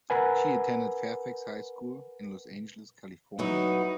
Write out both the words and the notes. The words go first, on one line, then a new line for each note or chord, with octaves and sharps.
She attended Fairfax High School in Los Angeles, California.
A#4 B4 F#5 G#5
F#3 B3 D#4 E4